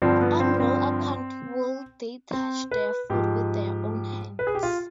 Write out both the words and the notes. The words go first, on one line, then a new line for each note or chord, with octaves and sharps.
On no account will they touch their food with their own hands.
G2 D3 F3 C4
B3
C4
C4
C4
B4
G#2 F3 G4
B4
G#4
G4
F4